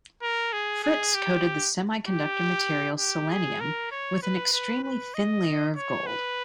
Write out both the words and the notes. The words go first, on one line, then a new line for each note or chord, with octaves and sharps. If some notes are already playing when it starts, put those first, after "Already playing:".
Fritts coated the semiconductor material selenium with an extremely thin layer of gold.
A#4
G#4
G#4
G4
G4
G4
G#4
A#4
C#5
B4
B4
B4
D#5
C#5
B4